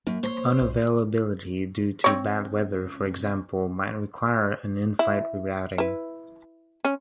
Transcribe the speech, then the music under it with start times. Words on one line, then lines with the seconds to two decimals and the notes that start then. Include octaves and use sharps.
Unavailability due to bad weather, for example, might require an inflight rerouting.
0.07 F#2 A#3
0.23 C5 C#5
0.61 B1
2.04 C4 C#5
4.99 E4
5.78 E4 B4
6.85 C#4